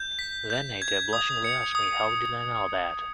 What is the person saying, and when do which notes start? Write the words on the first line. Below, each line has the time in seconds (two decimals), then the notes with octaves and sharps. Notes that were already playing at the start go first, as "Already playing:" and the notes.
Then Ada blushingly asked me how did I know that.
Already playing: G6
0.19 B6
0.50 G6
0.82 G#6
1.13 D#6
1.44 C#7
1.75 D#6